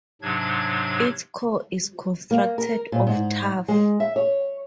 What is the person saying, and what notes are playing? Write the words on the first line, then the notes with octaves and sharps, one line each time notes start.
Its core is constructed of tuff.
G#2 C3 F#3 D4 G#6
A#3
A#4
A#2
G#2
G#3
E5
C#5